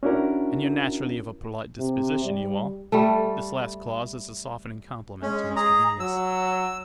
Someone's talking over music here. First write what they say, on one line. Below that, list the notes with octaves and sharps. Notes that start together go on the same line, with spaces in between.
And you're naturally of a polite disposition, you are.' This last clause as a softening compliment to Mr Venus.
C#4 D4 E4 F#4 A#4
C3
G3
G3 A3
G#3 C#4
G#4 A#5
F#3 E6